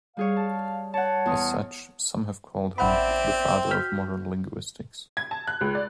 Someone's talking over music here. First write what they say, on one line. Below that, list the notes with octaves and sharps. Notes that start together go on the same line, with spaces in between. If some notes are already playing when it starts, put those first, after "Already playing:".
As such, some have called him "the father of modern linguistics".
G3 G#4 C#5 F5
A5
C#5 F#5 A5
E2 D#6 F6
A1 C4 D5 E5 F#5 B5
F#4 F6 G6 B6
G#6
A5
F#6
C#2
D5